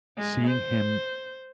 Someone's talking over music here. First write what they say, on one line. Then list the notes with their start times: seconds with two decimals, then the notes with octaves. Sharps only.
Seeing him
0.17 G#3
0.47 C5